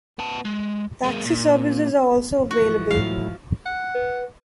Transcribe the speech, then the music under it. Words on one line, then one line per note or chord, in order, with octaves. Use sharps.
Taxi services are also available.
B3 A5
G#3
G#3 A#3
A#2
G#2 E3 F3 F#4
A2 F#3 E4 F5
F#5
B4